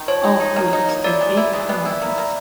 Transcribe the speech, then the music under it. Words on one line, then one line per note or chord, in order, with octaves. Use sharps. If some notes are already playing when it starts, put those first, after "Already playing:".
Oh please if it comes
Already playing: D#3
F3 C#5
D#4
D#4
A#3
D#4
A#3
E4 D5
G#3
E4
G#3
B3
E4
A#3
A#3